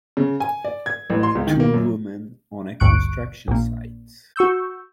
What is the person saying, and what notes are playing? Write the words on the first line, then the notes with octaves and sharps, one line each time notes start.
Two women on a construction site.
C#3
G#5
D5
G#6
A1
C6
C#2
D#3
A#3
F#2
A1 D2 G2 C#6 F#6 D7
A#1 A#2
F#4 C#6 E6 G6